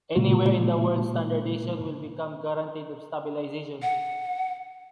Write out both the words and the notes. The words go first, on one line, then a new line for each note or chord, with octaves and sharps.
Anywhere in the world standardization will become guaranteed of stabilization.
A#2 C#3 G#3 A#3 F4 F#4
F#5